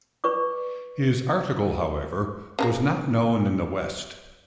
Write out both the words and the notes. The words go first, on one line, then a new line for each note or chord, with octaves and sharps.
His article however, was not known in the West.
B4 D5 C#6 D6
C#3 F3 A#3